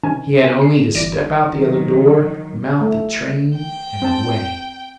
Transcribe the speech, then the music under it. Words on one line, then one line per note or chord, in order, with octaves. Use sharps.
He had only to step out the other door, mount the train, and away.
C3 D#3 C#4 G#5
B3 G5
C7
E7
G1 E3 D5 A#6 D7 E7
D#3 F#3
A3
G5
C4 A5